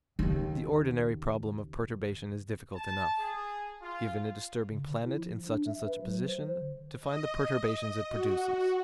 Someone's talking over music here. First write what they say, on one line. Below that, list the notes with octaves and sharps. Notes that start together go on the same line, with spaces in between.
The ordinary problem of perturbation is difficult enough: Given a disturbing planet in such and such a position, to find the perturbations it produces.
D#2 C#3
A5
G#4
F4
C#3
D3
E4
F3
D4
E5
B4
F#3
C5
D3
D#5
F#4